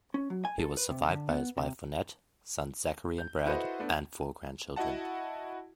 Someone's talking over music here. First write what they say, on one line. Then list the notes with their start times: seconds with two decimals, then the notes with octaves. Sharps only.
He was survived by his wife Vonette, sons Zachary and Brad, and four grandchildren.
0.14 C#4
0.30 F#3
0.45 G#5
0.59 A4
0.77 B4
0.91 C3
1.09 D3
1.29 B3
1.57 C3
3.18 G6
3.46 E4 F#4 A4 B4 C5 D#5
3.79 A3 B3 D4
4.76 E4 F#4 D#5 F#5 A5